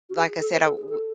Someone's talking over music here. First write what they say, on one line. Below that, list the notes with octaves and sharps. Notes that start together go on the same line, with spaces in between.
like I said, I w
F#4
G#4
A4
C5
A4
G#4
A4